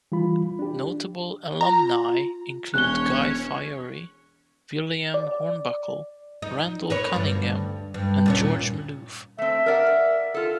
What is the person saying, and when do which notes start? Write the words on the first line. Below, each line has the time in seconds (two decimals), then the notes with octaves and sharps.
Notable alumni include Guy Fieri, William Hornbuckle, Randall Cunningham, and George Maloof.
0.12 E3 G3 F4 B5
0.59 D4 G4
1.61 F4 A#5
2.74 E1 C#4 C#5 F#6 G7
5.14 D5
6.42 D#4
6.90 A#4 B4 C#5
7.14 D2 G2
7.94 G2
8.26 D#2 A#2 C#4
9.38 A3 C4 E5
9.66 A#4 D5 F#5
10.34 F4 A4